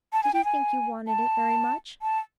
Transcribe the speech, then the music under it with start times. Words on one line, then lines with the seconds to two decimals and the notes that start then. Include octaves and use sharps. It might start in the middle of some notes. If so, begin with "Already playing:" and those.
'Did he think you wanted it very much?'
0.13 A5
0.23 G#5
0.34 G5
0.45 G#5
1.08 A5
2.02 A5